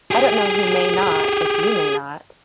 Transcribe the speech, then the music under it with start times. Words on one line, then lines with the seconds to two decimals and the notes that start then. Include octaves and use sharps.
I don't know who may not, if you may not.
0.11 G4 G#4